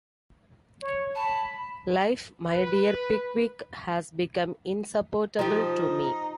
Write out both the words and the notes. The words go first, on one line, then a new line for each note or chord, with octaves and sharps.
Life, my dear Pickwick, has become insupportable to me.
C#5
A5 B5
B4
F3 D#4 G4